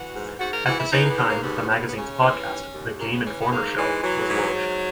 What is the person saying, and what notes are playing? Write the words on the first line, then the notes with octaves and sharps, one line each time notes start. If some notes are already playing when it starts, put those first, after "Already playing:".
At the same time, the magazine's podcast, "The Game Informer Show", was launched.
Already playing: E3 F#4
G#2
G#2 F#4
A#4
E3 F#4
E4
E3 D#4
A#3
B3
G#2
A#3
D#2 B3
D#2 B3
A#3
B3
C#3 C#4
E3
D#2
D#2
C#3 A#3
B3
E3 C#4
B3
G#2 A#3
E3 G#3
E3 F#3
G#2
G#2